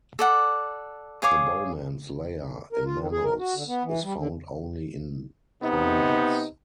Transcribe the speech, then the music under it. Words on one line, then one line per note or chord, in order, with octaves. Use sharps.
The Bowman's layer, in mammals, is found only in primates.
A4 D5 F#5
G#4 C#5 F5 D6
A#4
F4
D#3
G#4
A#4
F#4
D3
B3
E3
G3
D3
C3 B3 D#4